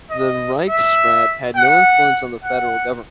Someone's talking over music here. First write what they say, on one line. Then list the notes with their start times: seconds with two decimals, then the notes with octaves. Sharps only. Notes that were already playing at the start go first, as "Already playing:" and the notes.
The Reichsrat had no influence on the federal government.
0.11 D#5
0.69 E5
1.57 F#5
2.44 F#5